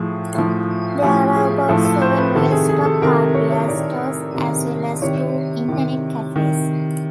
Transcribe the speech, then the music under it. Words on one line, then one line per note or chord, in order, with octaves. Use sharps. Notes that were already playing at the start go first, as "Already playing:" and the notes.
There are about seven well-stocked hardware stores, as well as two internet cafes.
Already playing: A2 F3 G#4
A2 F3
A2 F3 G4
G#4
A2 F3 A4
A4
C5
B4
C3 D#3 A4
G#4
G#4
A4
C3 D#3 A#4
C#5
C#5
C3 D#3 D5
C3 D#3
C3 D#3 C#5
C3 D#3
C3 D#3